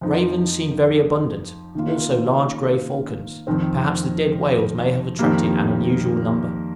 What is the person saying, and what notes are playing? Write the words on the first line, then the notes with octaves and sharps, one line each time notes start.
Ravens seem very abundant, also large grey falcons: perhaps the dead whales may have attracted an unusual number.
F2 F3 D#4
D#3 A#3 F4
F2 D#3 C4
F2 D#3 G3 A#3